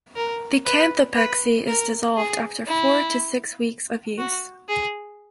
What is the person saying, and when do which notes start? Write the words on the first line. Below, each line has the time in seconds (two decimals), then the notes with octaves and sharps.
The canthopexy is dissolved after four to six weeks of use.
0.16 A#4
0.66 B4
1.16 B4
1.67 A#4
2.17 G#4
2.67 E4
4.18 F#4
4.69 G#4